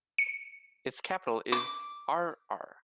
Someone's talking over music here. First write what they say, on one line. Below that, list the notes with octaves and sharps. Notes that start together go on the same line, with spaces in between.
Its capital is 'Ar'ar.
C#7
D6